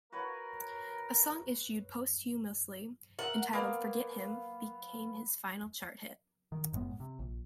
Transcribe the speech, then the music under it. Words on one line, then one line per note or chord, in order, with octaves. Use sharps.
A song issued posthumously entitled "Forget Him" became his final chart hit.
F#4 A#4 B4 C#5
A#4 E5 F#5
A#3 B3 F5
D#3
F#1 A2 G#3 B3
C3
A#1